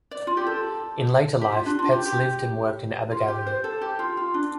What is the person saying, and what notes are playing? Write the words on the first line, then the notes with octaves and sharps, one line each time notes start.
In later life Petts lived and worked in Abergavenny.
D5
F4
G4
A4
G4
F4
D4
F4
G4
G4
F4
G4
C5
A4
G4
F4
F4
D4